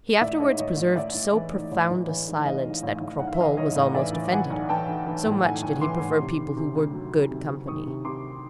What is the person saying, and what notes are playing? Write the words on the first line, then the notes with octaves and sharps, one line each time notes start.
He afterwards preserved so profound a silence, that Cropole was almost offended, so much did he prefer people who were good company.
A1 D5 E5
G#2 C#5 D#5
A1 C#5 D#5
A1
A1 D5 E5
A1
E3
G#2
A1
A1
E3
G#2
E3 D#5 F5
G#2
A1
A1
B1 F#5
F5
E5
E3 D#5 F5
B1 C#5 D#5
A2
E3 D5 E5
E3
E3 F#5 G#5
B1
E3 G5 A5
E3
E3
A2
B1 F#5 G#5
B1
E3 C6 D6
A2
C3
D#3
C3
D2
F#3
D#3
C3
C3
D#3 C#6 D#6
C3
C3 C6 D6